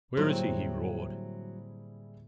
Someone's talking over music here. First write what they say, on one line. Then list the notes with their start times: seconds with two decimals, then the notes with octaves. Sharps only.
"Where is he?" he roared.
0.17 A2 D3 F#3 G3 A#3 C4 E4 G#4